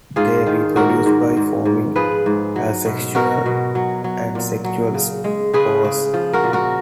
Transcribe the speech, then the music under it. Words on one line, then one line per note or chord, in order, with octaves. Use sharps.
They reproduce by forming asexual and sexual spores.
G#2 F4 G#4
D#3
G#2 F#4 A#4
G#2
G#2
G#2
F3 G#4 B4
G#2
F#3
B2
B2 F#4 A#4
B2
F#3
F#3
A#2
F#3
C#3
G#3
C#3 G#4 B4
C#3
F3
F#4 A#4
A#2
F#4 A#4